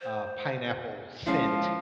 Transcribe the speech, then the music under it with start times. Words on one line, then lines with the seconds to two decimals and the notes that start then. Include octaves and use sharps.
uh, pineapple scent,
0.01 C5
1.27 F3 G#3 C#4 E4 F5